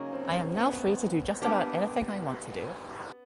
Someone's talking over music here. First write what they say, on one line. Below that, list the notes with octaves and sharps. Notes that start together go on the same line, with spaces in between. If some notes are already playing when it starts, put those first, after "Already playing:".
I am now free to do just about anything I want to do.
Already playing: C#3 F#3 A#3 C#4 D#4 G#4
C4
B3
G3 A#3 B3 D4 G4